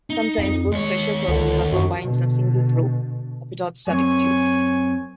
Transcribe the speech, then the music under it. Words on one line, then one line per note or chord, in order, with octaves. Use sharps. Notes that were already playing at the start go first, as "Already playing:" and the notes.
Sometimes both pressure sources are combined in a single probe, a pitot-static tube.
D#4
F2
D#2 G#3 C#5
C#2 D3
F#2 F#4
B2 D3
F#2 C4 C#5 G#5